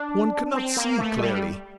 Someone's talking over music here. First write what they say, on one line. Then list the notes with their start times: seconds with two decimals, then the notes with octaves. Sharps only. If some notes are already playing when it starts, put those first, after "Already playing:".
One cannot see clearly.
Already playing: D4
0.54 C4
0.77 A#3
0.98 A3
1.19 G3